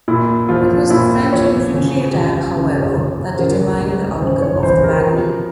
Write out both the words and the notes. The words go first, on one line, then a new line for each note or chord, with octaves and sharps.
It was the French infantry attack, however, that determined the outcome of the battle.
A#2 E4
F3 F4
A#2 E4
F3 C#5
C#3
G4
C#3 F4
C#3
C#3
C5
C#3 A#4
G3
C#3 C5
C#5
E3 C5
A#4
F3